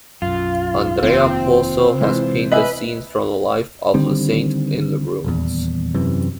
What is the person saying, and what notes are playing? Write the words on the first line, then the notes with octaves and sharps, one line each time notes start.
Andrea Pozzo has painted scenes from the life of the saint in the rooms.
B1 F#2 F4
F1 D#2 C4
C3 E3 G#3 C5
B4 D#5 E5 G#5
D3 D#3 G3 C4
D#1 E2
F#2 C3 E3